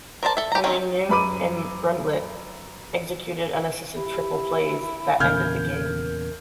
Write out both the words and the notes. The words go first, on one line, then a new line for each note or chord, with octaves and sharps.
Only Neun and Bruntlett executed unassisted triple plays that ended the game.
A#4 C5 D5 A5
A4 E5
G4 A#5
D#3 F#3 C4 C#4
F#2 B4 B5 D6 D#7
E4 G4
E2 A#2 C#3 A#4 F6 G6 G#6